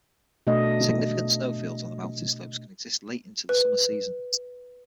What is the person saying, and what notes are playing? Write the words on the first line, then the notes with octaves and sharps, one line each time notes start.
Significant snow fields on the mountain slopes can exist late into the summer season.
B2 A3 D4 D#5
B4